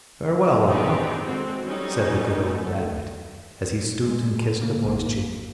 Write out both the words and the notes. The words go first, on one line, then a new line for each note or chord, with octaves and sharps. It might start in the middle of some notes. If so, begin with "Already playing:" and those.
"Farewell, Otto," said the good old Abbot, as he stooped and kissed the boy's cheek.
B3 C4 D4 D#4 G4 G#4
G#3 C4 F#4 A4
F#3 G3 C#4 D#4
A3
G#3
C#3 A#3
A1 F2 A#3